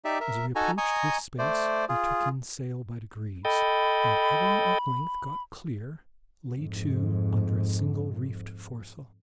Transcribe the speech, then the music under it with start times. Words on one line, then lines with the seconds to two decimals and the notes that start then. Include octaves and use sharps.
As we approached this space we took in sail by degrees, and having at length got clear, lay-to under a single reefed foresail.
0.05 D#4 G4 D5 E5
0.21 A#4 E5
0.55 D#4 F#4 A4 G#5 A#5
0.78 D#5 G#5 A#5 C#6 D#6
1.39 A3 C5 D5
1.89 F4 G#4
3.45 A4 D#5 G5 B5
6.57 F2 G#2